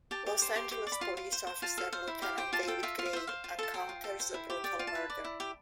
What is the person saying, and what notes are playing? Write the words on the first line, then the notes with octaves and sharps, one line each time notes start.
Los Angeles police officer Lieutenant David Grey encounters a brutal murder.
G4 A5
G4
C5
G4 C6
G4
D5
B5
F4 C6
F4
C5
C5
F4 A5
A4 F5
C5 F5
E4
G4 F5
C5 G5
F4 A5
A5
A4 G5
F4 E5
F4
F5
C5 E5
C5 F5
F4
A4 A5
C5 G5
F4
A4
C5
E4
G4
D5 G5
F4
A5
B4
D5
E4
G4